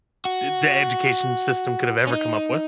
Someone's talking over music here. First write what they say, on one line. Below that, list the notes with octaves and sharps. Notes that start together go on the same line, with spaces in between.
s the education system could have ever come up with
F#4
C#4
D#4